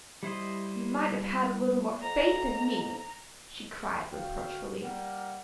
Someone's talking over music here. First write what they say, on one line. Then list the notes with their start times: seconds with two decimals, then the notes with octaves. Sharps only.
"You might have had a little more faith in me," she cried reproachfully.
0.23 G3 E4 C5 D#5
2.02 F2 A#5
4.11 D3 F#4 F5 G5
4.82 G3 A#3 A#4 F#5